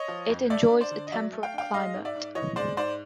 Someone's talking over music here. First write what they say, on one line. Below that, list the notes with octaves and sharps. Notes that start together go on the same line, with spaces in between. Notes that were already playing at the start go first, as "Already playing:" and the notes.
It enjoys a temperate climate.
Already playing: C#5 D#5
F3
F2
A3 D5 E5
D4
C5 D5
D3
D#5
F#3 D5 E5
A3
F5 G5
D4 F5 G5
G#3 D#5 F5
G#2
D5 E5
G#2
E3 C#5 D#5
G#3 C5 D5
G#2 C5 D5